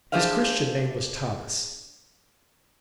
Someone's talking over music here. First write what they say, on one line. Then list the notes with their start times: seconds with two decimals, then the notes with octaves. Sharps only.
His Christian name was Thomas.
0.12 D4 G4 G#4 C5 E5 F5